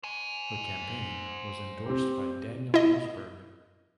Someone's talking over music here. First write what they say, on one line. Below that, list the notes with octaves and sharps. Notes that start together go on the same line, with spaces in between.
Her campaign was endorsed by Daniel Ellsberg.
C5 G#5
C4 G4
E4 D#5